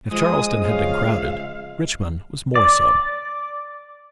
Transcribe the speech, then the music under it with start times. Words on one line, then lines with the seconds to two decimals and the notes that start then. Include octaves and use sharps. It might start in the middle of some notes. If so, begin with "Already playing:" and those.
If Charleston had been crowded, Richmond was more so.
0.11 F3 G#3 D#6
0.65 C#3 F5
2.55 D5